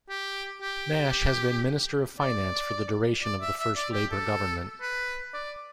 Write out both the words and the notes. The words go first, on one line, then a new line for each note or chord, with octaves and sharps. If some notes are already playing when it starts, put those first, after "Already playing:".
Nash had been Minister of Finance for the duration of the first Labour government.
G4
G4
D5
D5
E5
E5
D5
G4
A4
B4
D5